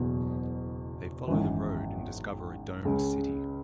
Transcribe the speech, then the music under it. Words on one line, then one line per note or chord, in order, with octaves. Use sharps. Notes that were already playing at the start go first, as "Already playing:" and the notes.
They follow the road and discover a domed city.
Already playing: F#1 E2 B2 F#3
G#1 F#2 E3
C#2 C#3 G#3 C#4 G#4